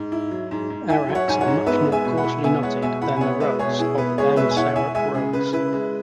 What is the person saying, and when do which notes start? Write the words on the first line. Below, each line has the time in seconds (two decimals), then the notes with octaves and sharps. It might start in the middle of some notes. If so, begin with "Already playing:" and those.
Araks are much more coarsely knotted than the rugs of than Sarouk rugs.
Already playing: G#2
0.12 E4
0.31 F#3
0.51 G#2
0.70 G#2
0.89 E4 E5 G#5
1.09 F#3
1.15 C#5 F#5
1.28 G#2 G#5
1.41 C#5 F#5
1.47 G#2
1.66 B3 B4 E5
1.86 G#3
1.92 E5 G#5
2.05 B2
2.18 F#5 B5
2.24 E4
2.44 B3 E5 G#5
2.63 G#3 C#5 F#5
2.82 B2 E5 G#5
3.02 E4 F#5 B5
3.17 G#5
3.21 B3 C#5 F#5
3.40 G#3 B4 E5
3.59 B2 G#4 C#5
3.79 E4 G#4
3.98 B3 B4
4.18 G#3 G#4 C#5
4.36 B2 B4 E5
4.50 G#5
4.57 E4 C#5 F#5
4.76 E4 E5 G#5
4.95 G#3 E5 G#5
5.14 C#3 G#4
5.33 C#3 B4
5.53 E4 B4
5.73 G#3